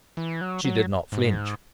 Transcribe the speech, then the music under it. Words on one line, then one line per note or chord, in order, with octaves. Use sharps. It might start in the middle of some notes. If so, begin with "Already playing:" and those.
She did not flinch.
E3
F#3
F#3
G#2